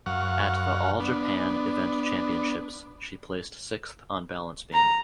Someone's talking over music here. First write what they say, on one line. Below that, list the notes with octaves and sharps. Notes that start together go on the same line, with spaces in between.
At the All Japan Event Championships she placed sixth on balance beam.
F#2 F5 F#5 C#6
B3 D4
A#5